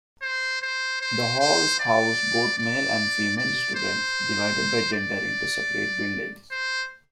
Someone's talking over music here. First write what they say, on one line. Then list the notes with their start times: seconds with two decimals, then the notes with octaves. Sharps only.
The halls house both male and female students, divided by gender into separate buildings.
0.22 C5
0.62 C5
1.01 C5
1.40 C5
1.80 D5
2.58 D5
3.37 D5
3.75 C5
4.93 D5
6.51 C5